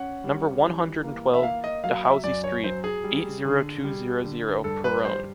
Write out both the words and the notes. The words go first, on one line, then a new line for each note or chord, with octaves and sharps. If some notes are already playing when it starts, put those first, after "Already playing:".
Number one-hundred-and-twelve, Dehaussy Street, eight-zero-two-zero-zero, Péronne.
Already playing: C#4 F#5
G3
E3
A#3
E5
A#3 F5
D#5
F#3 F5
E5
F#2 D5
C#5
F#3 C5
G#4
G3
D3
G3
D3
G2 A4
B4
G3 C5